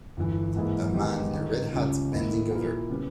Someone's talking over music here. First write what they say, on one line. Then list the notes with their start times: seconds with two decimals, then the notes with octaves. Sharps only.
A man in a red hat bending over.
0.17 G1 G2 E3
0.56 G#2 E3 A#3 E4 G#4
0.94 G#2 D#3 G#3 B3 G4
1.34 G1 G2 D#3
1.72 C#2 C#3 G3 C#4
2.12 D#2 D#3 A#3 E4
2.50 A#2 A#3 E4 A#4
2.89 C#3 G3 B3